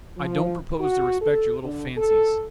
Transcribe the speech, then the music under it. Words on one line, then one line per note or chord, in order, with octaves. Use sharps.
I don't propose to respect your little fancies.
F3
F#4
A4
D3
A4